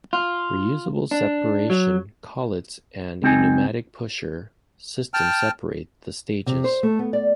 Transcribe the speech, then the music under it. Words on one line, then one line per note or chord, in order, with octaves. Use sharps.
Reusable separation collets and a pneumatic pusher system separate the stages.
F4
D4
F#3
C#2 C4 D#4 G#5
G5 A5 F6
C3
C5
A3
B3
D5